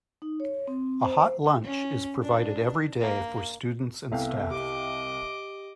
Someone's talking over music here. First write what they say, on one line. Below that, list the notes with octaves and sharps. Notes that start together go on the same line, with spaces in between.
A hot lunch is provided everyday for students and staff.
D#4
C#5
C4
C5
C#4
D4
A#3
C2 B3 A4 E5 F5 G5
G4 D#5 D6